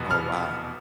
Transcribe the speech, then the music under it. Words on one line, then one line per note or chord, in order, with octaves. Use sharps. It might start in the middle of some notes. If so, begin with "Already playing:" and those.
Oh, wow.
Already playing: F1 E2 B2 B3
F6